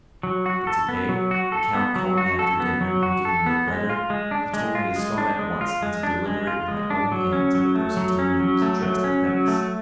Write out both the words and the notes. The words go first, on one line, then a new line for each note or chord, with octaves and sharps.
But to-day the count called me after dinner, and giving me a letter, he told me to start at once and to deliver it with my own hand to the person to whom it was addressed at Venice.
F#3
F#4
A4
B3
F#3
F#4
A4
B3
F#3
F#4
A4
B3
F#3
F#4
A4
B3
G#3
F4
G#3
D4
G#3
F4
G#3
D4
G#3
F4
G#3
D4
G#3
F4
G#3
D4
F#3
C#4
F#3
A3
F#3
C#4
F#3
A3
F#3
C#4
F#3
A3